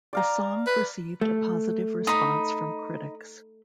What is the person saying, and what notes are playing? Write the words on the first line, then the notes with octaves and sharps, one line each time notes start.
The song received a positive response from critics.
D5 F5 A#5
B4
A3
D#4 B5